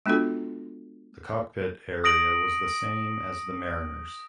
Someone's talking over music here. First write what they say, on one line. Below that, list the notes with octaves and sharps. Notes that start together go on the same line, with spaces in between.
The cockpit area was the same as the Mariner's.
G#3 B3 D4 F4 F#4 A4
D#6 A#6 D7 F#7